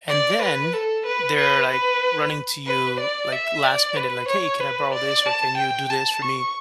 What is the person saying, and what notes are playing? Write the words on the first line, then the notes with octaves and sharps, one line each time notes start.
and then they're, like, running to you, like, last minute, like, "Hey, can I borrow this?" or, "Can you do this for me?"
D5
B4
A4
B4
B4
B4
B4
D5
E5
D5
B4
C#5
B4
D5
A5
G5
A5
C#6